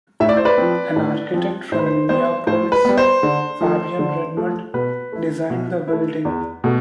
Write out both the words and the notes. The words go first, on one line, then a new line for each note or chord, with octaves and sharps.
An architect from Minneapolis, Fabian Redmond, designed the building.
A2 E5
D5
C5
B4 D5
F3 C4
A2
F3 C4
A2 C5
B4
C5
G3 B3 C5
A2 C5
B4
G3 B3
C5
D3
F3 A3
D3
F3 A3
B2 B4
A3 E4
B2
A3 E4
E2
B2 A3